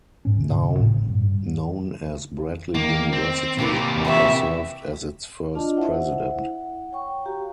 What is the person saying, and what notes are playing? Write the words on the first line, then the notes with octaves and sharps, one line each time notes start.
Now known as Bradley University, Harper served as its first president.
G#2 C#4
D2 C3
G#1 A2 C#3
G2
D#3 A#3
C4
C3 A#3 G4 A#4 B4
F2 E3 F#4 G4 E5
D4 F4 D5 D#5 A5
E4 C5 E5 F#5
F#5
C#5 G5 C#6
F#4 G4 F5 A#5